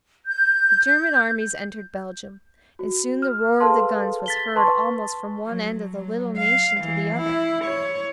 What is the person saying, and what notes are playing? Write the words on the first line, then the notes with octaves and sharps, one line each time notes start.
The German armies entered Belgium, and soon the roar of the guns was heard almost from one end of the little nation to the other.
G6
F#4
F6
G#4 A4 B4 F5 A5 C6
A6 B6 G7
B4 A5 C6 C#6
F#3
F#3
F5
E3
E4
C#5